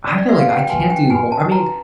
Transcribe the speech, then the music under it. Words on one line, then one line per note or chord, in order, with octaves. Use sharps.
I feel like I can't do hor I mean,
C#4 D5
D5
F#4 B4 E5
F5
C#4 F#5
G5
F#4 B4 G#5
G#5
C#4 G5
F#4 B4 G#5
C#4 A5
F#4 B4 A#5